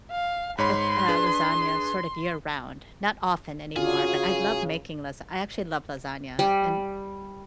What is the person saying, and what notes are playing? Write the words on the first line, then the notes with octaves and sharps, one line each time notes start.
it uh, lasagna, sort of, year round, not often anymore, but I love making lasa I actually love lasagna, and,
F5
G#2 C#5 B5 C6
D4 G#4 B4
C#3 F4 F#4 G#4
G3